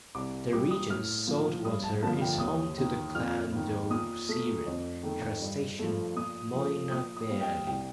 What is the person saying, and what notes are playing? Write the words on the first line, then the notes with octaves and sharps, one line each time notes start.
The region's salt water is home to the cladoceran crustacean "Moina belli".
C2 D6
A#2 G3 D6
D#6
A2 F6
F3 A#3
G2 D#6
A5
D3 F3 A#3 A5
G5
D#2 D#6
D#3 A#3
F2 F6
D#3 A#3
A#2 D#6
A3
F2
D#3 A3
G2
F3 A3
A#2 D#6
F3 A3
A#2 D#6
D#6
G3 A#3
G5
C2 G5